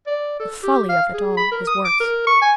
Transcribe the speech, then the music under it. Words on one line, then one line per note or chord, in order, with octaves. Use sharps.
The folly of it all was worse.
D5
A4
G4
F5
G#4
B5
A#4
D#6
D6
A#4
C#6
G#5